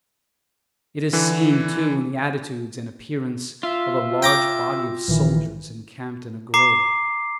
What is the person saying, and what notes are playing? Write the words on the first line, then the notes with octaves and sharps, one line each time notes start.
It is seen, too, in the attitudes and appearance of a large body of soldiers encamped in a grove.
D3 E3
F4 E5
G5 A#5 D6
A#1 D#3 E3
A#5 D6 C7